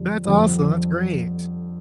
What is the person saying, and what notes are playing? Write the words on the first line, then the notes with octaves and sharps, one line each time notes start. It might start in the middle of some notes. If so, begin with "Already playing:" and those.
That's awesome. That's great.
Already playing: F2 D3 G3
F2 D3 G3